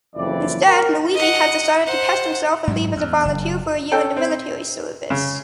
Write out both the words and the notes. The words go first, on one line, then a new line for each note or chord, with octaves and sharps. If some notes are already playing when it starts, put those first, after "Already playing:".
Instead Luigi has decided to test himself and leave as a volunteer for a year in the Military service.
F#1 F2 E3 D5
A#4
D#5 F#5
C5 F#5
G#2 F#3
E2
F#1
C#4 A4 G5
C4
C#3